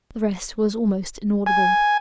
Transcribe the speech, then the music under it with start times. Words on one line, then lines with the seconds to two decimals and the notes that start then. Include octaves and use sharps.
The rest was almost inaudible.
1.46 G#5